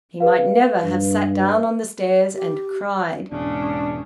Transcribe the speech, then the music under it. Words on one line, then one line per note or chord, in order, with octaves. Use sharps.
He might never have sat down on the stairs and cried!
G#4 B4 F5
G2
G4
E1 G#2 C#3 D4